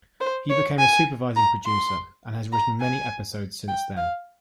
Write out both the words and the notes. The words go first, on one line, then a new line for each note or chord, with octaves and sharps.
He became a supervising producer, and has written many episodes since then.
C5
C#5
G#5
A#5
C6
A#5
G#5
G5
F5